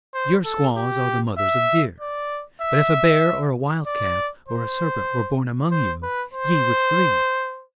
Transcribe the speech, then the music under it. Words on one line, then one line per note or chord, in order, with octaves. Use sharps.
Your squaws are the mothers of deer; but if a bear, or a wildcat, or a serpent were born among you, ye would flee.
C5
A4
G4
E5
D5
E5
D5
C5
C5
B4
C5